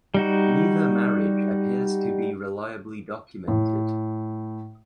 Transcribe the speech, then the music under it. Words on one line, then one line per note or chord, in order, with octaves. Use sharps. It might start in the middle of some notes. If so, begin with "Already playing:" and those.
Neither marriage appears to be reliably documented.
G3 D#4 F#4
A2